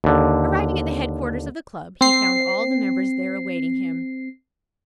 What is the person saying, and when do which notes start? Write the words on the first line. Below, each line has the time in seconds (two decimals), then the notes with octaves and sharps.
Arriving at the headquarters of the club, he found all the members there awaiting him.
0.04 D#2 D3
2.01 C4 C7